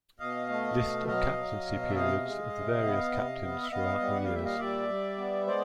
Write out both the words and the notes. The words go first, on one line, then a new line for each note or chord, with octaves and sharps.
List of captaincy periods of the various captains throughout the years.
B2 D#5 F5
A3
B2
F#3 D#5 F5
F#3
B2
E5
C3 D#5 F5
G#3
C3
B3
C3
B3
E5
B3 D#5 F5
G3
F#5
F5
A#2 E5
D#5 F5
G3 D5 E5
G3
B3
G#3 C5 D5